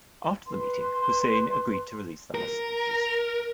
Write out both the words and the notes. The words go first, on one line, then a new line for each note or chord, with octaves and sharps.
After the meeting, Hussein agreed to release the hostages.
B4 C6
A#4